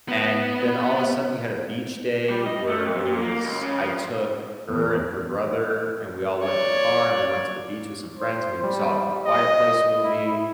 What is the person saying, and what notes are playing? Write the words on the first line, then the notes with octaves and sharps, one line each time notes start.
and then all of a sudden we had a beach day where it was, I took her and her brother, and we all went in the car, and we went to the beach with some friends, and we saw The Quiet Place movie,
B3
G3
D#5
A3
F2
A#2
A#3
C#2
C#3
F3
E2
C#5 D5
C5
G3
D#5
E4